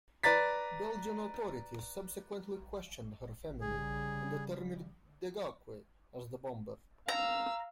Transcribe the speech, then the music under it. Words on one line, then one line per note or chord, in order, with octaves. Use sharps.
Belgian authorities subsequently questioned her family and determined Degauque as the bomber.
B4 D5 A#5 A6 B6
C#3 G3 G#4
F5 A#5 E6